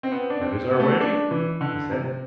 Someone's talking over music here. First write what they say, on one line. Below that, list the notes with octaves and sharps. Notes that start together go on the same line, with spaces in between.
"That is our way," he said.
C4
B3
D4
C4
B3
A3
B3
D4
E3
D3
C3